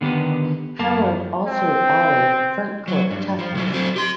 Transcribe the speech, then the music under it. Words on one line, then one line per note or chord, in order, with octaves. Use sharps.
Howard also added frontcourt toughness.
D3 D#3 B3 G4 B4
F#2 A4 A#4 F5 A5
C4
F#3
G2
F3
C2 F#3
F#3 C4
G4 C6